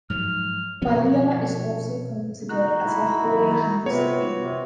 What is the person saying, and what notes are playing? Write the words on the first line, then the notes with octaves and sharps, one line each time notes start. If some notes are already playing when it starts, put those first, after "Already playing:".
Ballia is also considered as a holy Hindu city.
G#2 F3 F#3 F6
B2 F3 B3 C#4 C#5
D#4 F#4 F#6
E4
C3 B3 F4 F#4 B4 C#5
C3